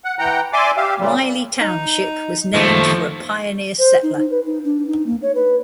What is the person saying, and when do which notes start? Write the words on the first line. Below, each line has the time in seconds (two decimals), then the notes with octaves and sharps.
Wylie Township was named for a pioneer settler.
0.05 F#5
0.19 E3 F#5 G5 A#5
0.53 D5 E5 G#5 C6 D6
0.77 G4 E5 F5
1.00 A#2 C#3 G3
1.61 D#4
2.55 D#2 F3 A3
3.79 C5
4.03 D#4
4.17 D#4
4.31 B4
4.46 D#4
4.64 D4
4.88 D#4
5.06 A#3
5.22 C#5
5.35 B4